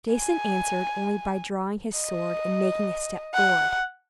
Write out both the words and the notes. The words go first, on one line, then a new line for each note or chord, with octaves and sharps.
Jason answered only by drawing his sword, and making a step forward.
G#5
D#5
F#5